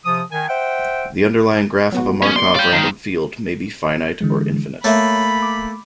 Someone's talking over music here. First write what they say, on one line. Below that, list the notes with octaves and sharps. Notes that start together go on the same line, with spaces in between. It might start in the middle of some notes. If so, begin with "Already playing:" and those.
The underlying graph of a Markov random field may be finite or infinite.
C3 F3 D#6
D#3 G#5
C5 E5 F#5 G5
F#3 B3 F#4
A#3 B3 C#4
D5 C6 D6 C#7
C#5 D5 F5 G5 C6
D#3 A5
D3 E3 G#3
A3 A#3 C#5 E5 B5
D6